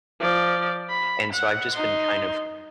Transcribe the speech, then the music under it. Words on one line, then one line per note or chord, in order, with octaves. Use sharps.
and so, I've just been kind of
F3 D5
B5
F#5
D#4 C6